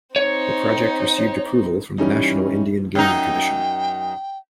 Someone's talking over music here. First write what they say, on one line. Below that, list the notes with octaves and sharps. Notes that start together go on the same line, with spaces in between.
The project received approval from the National Indian Gaming Commission.
C4 D#4 C#5
E3 G3 C#4 D#4
F#2 D#4 G5